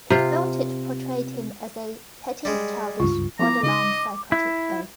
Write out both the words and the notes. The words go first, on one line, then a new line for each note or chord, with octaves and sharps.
He felt it portrayed him as a "petty, childish, borderline psychotic oaf".
C3 F4
G3 G#3
C#2 G2 F4
F3 B3 E4 A#5 D6
C#3 D#4 D#5
E4